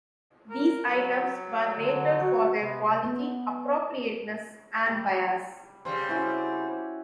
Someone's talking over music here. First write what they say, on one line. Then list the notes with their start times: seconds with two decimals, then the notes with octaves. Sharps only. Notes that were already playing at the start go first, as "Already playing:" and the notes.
These items were rated for their quality, appropriateness, and bias.
0.50 A#4
0.89 F#3
1.79 D3
2.21 F#4
2.61 C3 B3
3.04 B3
4.86 G3
5.85 C#3 G3 C4 C5
6.09 C#4 E4 F#4